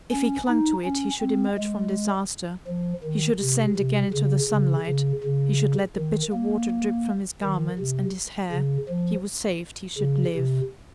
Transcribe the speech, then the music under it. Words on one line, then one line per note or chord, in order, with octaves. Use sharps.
If he clung to it, he should emerge from disaster, he should ascend again into the sunlight, he should let the bitter water drip from his garments and his hair, he was saved, he should live.
C#4
D#4
C#4
C4
G#3
F3
D#3
C3
C3
C#3
C#3
C#3
C#3
D#3
A#3
D#3
C3
C#3
F3
C#3
C3